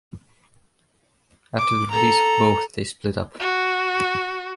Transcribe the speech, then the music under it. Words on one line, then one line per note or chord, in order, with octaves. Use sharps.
After the release of both they split up.
D6
A4 A#5
F#4